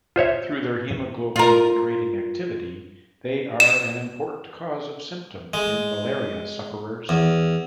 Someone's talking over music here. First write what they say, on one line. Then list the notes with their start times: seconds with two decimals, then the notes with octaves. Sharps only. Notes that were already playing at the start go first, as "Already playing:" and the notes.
Through their haemoglobin-degrading activity, they are an important cause of symptoms in malaria sufferers.
0.16 F4 C5 C#5 E5
1.36 F4 A#4
3.60 E7
5.54 G#3
7.09 E2